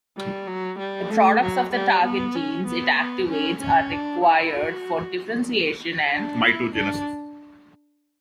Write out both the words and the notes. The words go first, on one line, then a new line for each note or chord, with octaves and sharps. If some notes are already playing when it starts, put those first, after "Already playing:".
The products of target genes it activates are required for differentiation and mitogenesis.
G3
F#3
G3
A3
F#3
G3
B3
C#4
B3
B3
C#4
C#4
D4
E4
F#4
D4
E4
D4